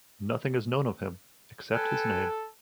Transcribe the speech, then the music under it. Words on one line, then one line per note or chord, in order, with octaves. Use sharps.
Nothing is known of him, except his name.
A4 B4 G5 G#5